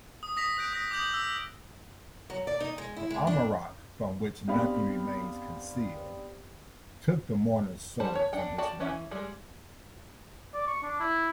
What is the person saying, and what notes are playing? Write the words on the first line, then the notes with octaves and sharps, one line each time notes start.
The amarok, "from which nothing remains concealed", took the mourner's soul from his body.
D#6
D#6 A#6 B6 F7
D#6 F#6 G6 D7
D#6 A#6
D6 D#6 G6 F#7
E6
F#3
D5
D#4
G#3
E4
G#3
D4
B3 C4 D4 G4 F5 B5
G3 C5 A5 B5
C#5
D4 F#5 G5
F#4 D5 G5 A5
E3 C#4 C#5 E5
G3 G#3
D5
C#6
D4
E4